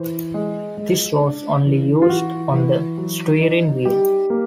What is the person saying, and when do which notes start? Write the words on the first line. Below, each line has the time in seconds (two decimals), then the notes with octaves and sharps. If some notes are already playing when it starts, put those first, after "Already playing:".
This was only used on the steering wheel.
Already playing: E3 C5
0.34 G#3
0.78 G#3
1.22 D4
1.66 E3
2.02 F4
2.09 E3 F#4
2.54 E3
2.98 F#3
3.41 D#4
3.85 G3 G4
4.30 A#3